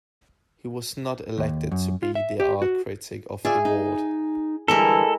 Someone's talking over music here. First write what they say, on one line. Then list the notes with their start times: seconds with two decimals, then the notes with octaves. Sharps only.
He was not elected to be the art critic of the ward.
1.38 D#2
1.72 F#2
2.03 F4
2.15 E5
2.40 G4
2.62 F#4
3.45 F4 G#4 D5 E5
3.65 D#4
4.68 D3 E3 G3 G#3 E4 A4 A#4